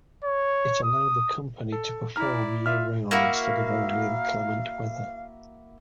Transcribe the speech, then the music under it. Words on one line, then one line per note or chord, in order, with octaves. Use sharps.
It allowed the company to perform year round instead of only in clement weather.
C#5
D#6
A4
E4 D5 A#5 F6
F4 E5 F6
A#3 E4 F#4 F5